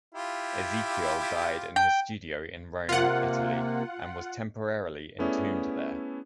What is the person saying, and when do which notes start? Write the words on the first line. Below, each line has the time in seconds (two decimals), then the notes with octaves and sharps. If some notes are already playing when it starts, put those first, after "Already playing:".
Ezekiel died in his studio in Rome, Italy, and was temporarily entombed there.
0.15 E4 F4 G4
1.76 G5
2.89 C3 A#3 F4 F#5
5.19 A3 B3 C#4 E4 G#4 D5